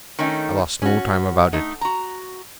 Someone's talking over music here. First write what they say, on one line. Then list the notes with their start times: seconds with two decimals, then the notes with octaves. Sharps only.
I lost no time about it.
0.19 D#3 A3 C#4 D#4
0.82 C#4 F#4
1.53 A3 D#4
1.81 F#4 A#5